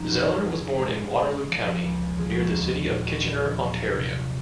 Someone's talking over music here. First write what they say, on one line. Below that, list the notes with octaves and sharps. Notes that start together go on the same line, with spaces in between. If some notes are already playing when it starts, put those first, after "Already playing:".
Zeller was born in Waterloo County, near the city of Kitchener, Ontario.
Already playing: F2 F3 C#4 D#4
A#1 F#4
G#4
A#1
G#4
G#3 G#4
G#3
F3
C#2
F3 G#4
F#4
G#4
D#2
A#2 F#4
F#4
A#1 F#4
F4
F#3
C3